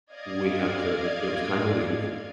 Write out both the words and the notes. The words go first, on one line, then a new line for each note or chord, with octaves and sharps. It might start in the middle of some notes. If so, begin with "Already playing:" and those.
we had to it was time to leave,
D5 D#5 F5 G#6